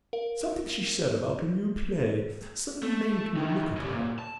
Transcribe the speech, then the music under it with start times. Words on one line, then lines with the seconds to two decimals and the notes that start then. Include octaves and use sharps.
Something she said about a new play--suddenly--made me look at her.
0.13 A#4 F5
2.83 A3
3.37 D#3 E3
3.77 C#3 G3
3.93 A#2
4.19 A5